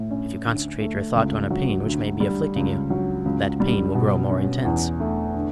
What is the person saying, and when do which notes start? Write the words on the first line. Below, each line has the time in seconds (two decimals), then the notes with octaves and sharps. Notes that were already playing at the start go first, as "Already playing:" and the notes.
If you concentrate your thought on a pain which may be afflicting you, that pain will grow more intense.
Already playing: A2
0.11 C#4
0.45 D2
0.81 A3
1.15 C#2
1.50 F#3
1.85 D2
2.20 G3
2.56 C#2
2.90 F#3
3.26 C#2
3.60 G3
3.95 B2
4.30 C#4
4.65 E2
5.00 A3
5.35 D3